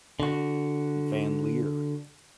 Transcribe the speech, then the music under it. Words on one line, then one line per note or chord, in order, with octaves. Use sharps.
Van Leer.
D3 F#4